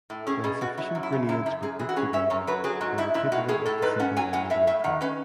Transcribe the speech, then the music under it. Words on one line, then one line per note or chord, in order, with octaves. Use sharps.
When sufficient grenades were grouped together, they were capable of disabling a medium tank.
A2
C#4 G#4
B2 G#4
B2 F#4
F#3 E4
F#2
E4
C#3
F#2 E4
F#2 E4
F#2 G#4
E3 G#4
F#4
C#4 G#4
C#4 E5
F#2 C#5
F#3 B4
F#3 G#4
G#2 F#4
G#2 E4
G#2 E4
A2 F#4
A2 G#4
A2 A4
G#2 B4
C#4 F#5
F#3 G#5
A2 F#5
A2 E5
A2 E5
D#3 F#5
C#4 B4